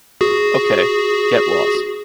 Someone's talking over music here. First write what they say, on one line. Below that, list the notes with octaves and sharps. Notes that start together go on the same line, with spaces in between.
Ok, get lost.
F#4 G#4